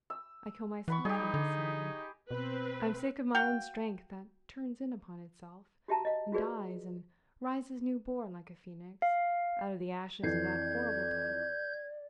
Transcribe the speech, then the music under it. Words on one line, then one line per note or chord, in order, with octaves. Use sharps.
I kill myself when I see you--I'm sick of my own strength that turns in upon itself, and dies, and rises new born like a Phoenix out of the ashes of that horrible death.
E6
E3 F#5 B5 C#6
G3 D#4 G4 G#4
D3
B2 C4 B4
F#4 F5 G5
F#4 G4 E5 A5 A#5
D#5 F5
F4 F#4 G#4 B4 D5
F5
F2 E3 D5 G6 G#6 C7